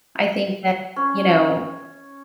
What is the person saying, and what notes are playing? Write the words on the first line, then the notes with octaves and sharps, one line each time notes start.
I think that, you know,
C#4